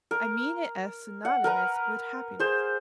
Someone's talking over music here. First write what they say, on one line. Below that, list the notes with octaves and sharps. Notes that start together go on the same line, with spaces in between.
I mean it as synonymous with happiness.
A#4
F#5
A#4 B4 A#5
G#4 C5